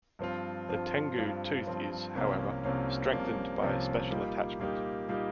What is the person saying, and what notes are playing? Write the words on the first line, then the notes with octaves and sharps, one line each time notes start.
The tengu tooth is, however, strengthened by a special attachment.
G2 F3 C4 F4
G2 F3 C4 F4
G2 F3 C4 F4
G2 F3 C4 F4
C2 C3 F3 A#3 C#4
C2 C3 F3 A#3 C#4
C2 C3 F3 A#3 C#4
C2 C3 F3 A#3 C#4
A#2 G3 A#3 D#4 G4
A#2 G3 A#3 D#4 G4
A#2 G3 A#3 D#4 G4